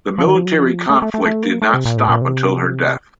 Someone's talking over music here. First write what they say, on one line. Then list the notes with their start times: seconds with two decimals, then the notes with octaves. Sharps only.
The military conflict did not stop until her death.
0.18 F3
0.27 D#3
0.36 F3
0.45 F#3
0.54 F3
0.90 A3
1.02 A3
1.14 A3
1.25 A3
1.43 A#3
1.62 A3
1.74 C3
1.85 A#2
1.97 A2
2.09 A#2
2.22 C3